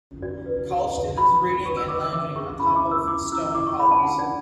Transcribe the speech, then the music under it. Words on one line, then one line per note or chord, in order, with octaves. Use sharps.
College students reading and lounging on top of stone columns.
F#4 D5
B4
F#4
B4
F#4 B5
F#4
B4 C#6
E6
B4 D6
E6
C#5 D6
G#4 C#6
E4 B5
C#6
D6
E4
E6
E4 D6
E4 E6
E4 D6
C#6
G#4 B5
A5
G#5
D4 F#5
D5